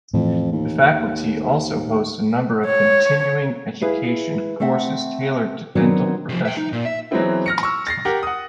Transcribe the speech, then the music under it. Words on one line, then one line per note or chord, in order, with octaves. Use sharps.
The Faculty also hosts a number of continuing education courses tailored to dental professionals.
F2 A2 E3
D#2
C#5
E4 G#4 B4 E5 F5
A3 C4 E5 F#5
D#3 F#3 B3 C4 D4
C3 F3
E5 G5
D#4
A#2
E5
E3 F#3 G#3 B3 C4 E4
F6 A#6 C#7
C#6 E6
A6 A#6 C7
G4 A#4 F#5
F#5 D#6